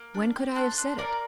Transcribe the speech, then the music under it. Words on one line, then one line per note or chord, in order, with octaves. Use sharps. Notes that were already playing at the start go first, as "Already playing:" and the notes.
"When could I have said it?"
Already playing: A#3
D4
G4
D4 A4 C5
D4
A#3 A#4 D5